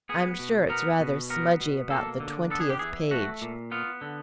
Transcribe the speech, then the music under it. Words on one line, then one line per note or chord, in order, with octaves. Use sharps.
I'm sure it's rather smudgy about the twentieth page.
B3 G#4
B2
B3 A#4
B2
B3 A#4
B2
A#3 A4
D3
B3 A4
G#4
G4
E3 G#4
A3 F#4
A#2
B3 F4
D3